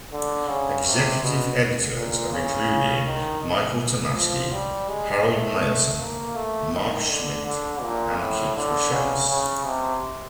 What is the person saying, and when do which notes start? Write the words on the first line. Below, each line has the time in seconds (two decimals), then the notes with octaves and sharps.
Executive editors have included Michael Tomasky, Harold Meyerson, Mark Schmitt, and Kit Rachlis.
0.13 D3
0.49 C#3
0.87 C3
1.23 B2
1.95 A#2
2.33 C#3
3.07 D#3
4.16 F3
4.52 G3
4.89 G#3
5.26 A3
5.99 A#3
6.35 A3
6.73 D#3
7.10 D3
7.46 D3
7.83 A#2
8.19 A2
8.56 D3
8.93 C#3
9.29 C#3
9.65 C3